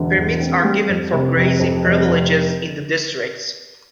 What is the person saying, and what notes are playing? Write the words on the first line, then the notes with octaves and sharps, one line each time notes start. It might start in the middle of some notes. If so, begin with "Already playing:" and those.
Permits are given for grazing privileges in the districts.
Already playing: E1 D3
E2
C4
G3
F2
C3
F1
F2
F1
F1